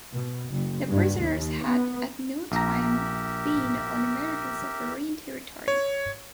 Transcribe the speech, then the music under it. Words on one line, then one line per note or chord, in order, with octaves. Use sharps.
The prisoners had at no time been on American sovereign territory.
B2
F#1
G2
D#2
B3
A#1 G4 A#4 E5 A#5
C#5